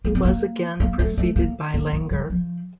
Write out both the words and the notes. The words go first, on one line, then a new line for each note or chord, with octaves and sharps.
He was again preceded by Langer.
A#3
C4
A#3
A#3
A3
A3
A#3
A#3
A#3
G3
F3